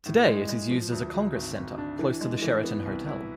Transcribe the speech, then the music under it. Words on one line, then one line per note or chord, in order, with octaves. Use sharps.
Today it is used as a congress center close to the Sheraton hotel.
A2
G#3
G#3
F3
D2
D2
G#1
G#1
D4
E3
G#3
E3
B3
C2
E4